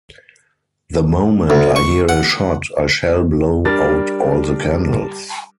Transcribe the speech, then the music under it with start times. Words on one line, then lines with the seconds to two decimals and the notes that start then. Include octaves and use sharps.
The moment I hear a shot, I shall blow out all the candles.
1.50 D2
1.76 C#6
2.09 F#5
3.65 G3 D4 A#4 A6